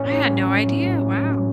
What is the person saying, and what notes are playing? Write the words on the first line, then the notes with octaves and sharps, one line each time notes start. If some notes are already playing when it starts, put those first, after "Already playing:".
I had no idea, wow.
Already playing: A2 C#4 C#5
A2
C#4
F#3
A2
A2
C#4
F#3